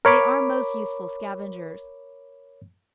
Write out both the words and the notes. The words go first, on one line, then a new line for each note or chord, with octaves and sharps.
They are most useful scavengers.
A#4 C#5 B5 D6